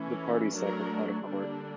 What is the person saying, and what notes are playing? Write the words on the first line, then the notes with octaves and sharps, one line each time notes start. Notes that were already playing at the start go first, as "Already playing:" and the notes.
The parties settled out of court.
Already playing: E3 A3 C#4 E4
F#3 A3 D4 A#4
D3 G3 A#3 D4